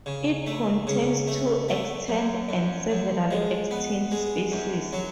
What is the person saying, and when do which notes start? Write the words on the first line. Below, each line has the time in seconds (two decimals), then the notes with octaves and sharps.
It contains two extant and several extinct species.
0.06 C#3
0.46 A3
0.87 C#3
1.27 A3
1.69 A3
2.08 F#2
2.49 F#2
2.90 F#2
3.31 G#3
3.71 B3
4.12 G#3
4.52 F#2
4.93 F#3